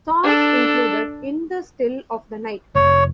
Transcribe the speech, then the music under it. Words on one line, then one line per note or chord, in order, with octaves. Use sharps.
Songs included "In the Still of the Night".
D4 A4
F1 C#5